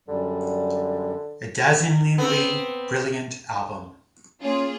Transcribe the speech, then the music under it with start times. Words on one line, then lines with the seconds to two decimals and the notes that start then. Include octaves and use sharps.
A dazzlingly brilliant album.
0.08 F#2 D3 G3
2.18 B3 C4
4.43 A#3 C#4 F4 G#4